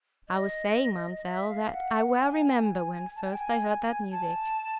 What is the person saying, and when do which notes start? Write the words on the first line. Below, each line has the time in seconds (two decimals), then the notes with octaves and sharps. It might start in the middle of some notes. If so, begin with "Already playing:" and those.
'I was saying, ma'amselle, that I well remember when first I heard that music.
0.29 D#5
1.25 E5
1.48 F5
1.66 F5
1.72 F#5
2.20 G#5
3.16 A5
3.24 G#5
3.31 G5
3.39 G#5
4.12 A5